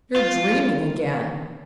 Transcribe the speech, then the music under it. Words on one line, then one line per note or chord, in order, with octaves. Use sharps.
"You're dreaming again."
F4